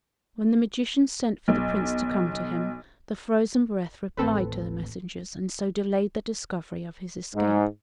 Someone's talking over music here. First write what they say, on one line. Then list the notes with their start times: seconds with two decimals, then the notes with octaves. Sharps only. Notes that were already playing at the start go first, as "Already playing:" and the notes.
When the magician sent for the Prince to come to him, the frozen breath replied to the messengers, and so delayed the discovery of his escape.
1.48 B1
4.17 A1 D#2 C4 A4 B4
7.35 G#2